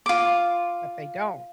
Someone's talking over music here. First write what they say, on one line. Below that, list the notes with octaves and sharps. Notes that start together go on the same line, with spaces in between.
but they don't.
F4 D6